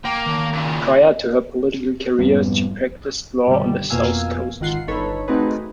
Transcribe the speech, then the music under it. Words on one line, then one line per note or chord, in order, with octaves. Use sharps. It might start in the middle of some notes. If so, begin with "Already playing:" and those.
Prior to her political career, she practiced law on the South Coast.
A#3 G5
D#3 A5
A#2 C#3
F2 G#2 G3 B3
G2 B2 D3 D#3 G3
F2 B2 A#3 F5 G#5 E6
G#1 D#3 F4 F#5 C7
G1 D#4 A4 B4 C#5 B5
A3 C4 D#4 F#4 G#4 B4